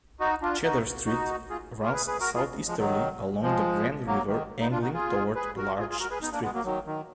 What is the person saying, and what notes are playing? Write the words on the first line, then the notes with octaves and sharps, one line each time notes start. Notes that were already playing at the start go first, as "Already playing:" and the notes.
Cedar Street runs southeasterly along the Grand River angling toward Larch Street.
D#4 F#4
D4 F4
D#4 F#4
D#4 F#4
F4 G#4
F4 G#4
A#4
G#4 B4
G#4 B4
F#4 A#4
F4 G#4
F3 G#3
D#3 F#3
F3 G#3
F#3 A#3
D#3
B3 D#4
D4 F4
D#4 F#4
F4 G#4
G#4 B4
F#4 A#4
F4 G#4
F4 G#4
F#4 A#4
G#4 B4
B3 D#4
A#3 D4
G#3 B3
F#3 A#3
D#3 F#3
D#3